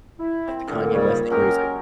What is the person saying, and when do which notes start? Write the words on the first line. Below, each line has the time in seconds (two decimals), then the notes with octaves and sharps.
like the Kanye West thing where he's like,
0.19 E4
0.47 C4
0.67 G2 A#2 D3
0.94 G#2 C#3 G3 C#5
1.30 F#3 G#3 C#4 G4 A#4